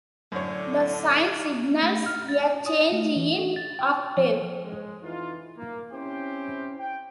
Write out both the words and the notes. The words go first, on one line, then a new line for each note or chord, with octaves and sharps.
The sign signals a change in octave.
F#2 A2 D3 C#5
A3
F6
A6
G#5
D#6
A3
E3
F#4
A6
G5
F3
G#3
F2 E3 D#4 F4
A#3
C4 C#4 E4 G4 C5 G5
G5